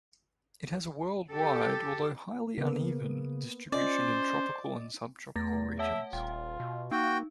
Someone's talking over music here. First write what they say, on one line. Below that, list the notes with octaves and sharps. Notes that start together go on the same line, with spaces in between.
It has a worldwide, although highly uneven, distribution in tropical and subtropical regions.
G4 A4
C#3 A#3 B3
C#4 F4 C5 D5 D#5
E2 A3 A6 A#6
C#5 E5 F#5 A5
D#1 F4 G5
B2
A#3 D#4 F#4 G5